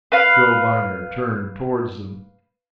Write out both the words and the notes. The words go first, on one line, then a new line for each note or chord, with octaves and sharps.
The old miner turned towards them.
B4 F5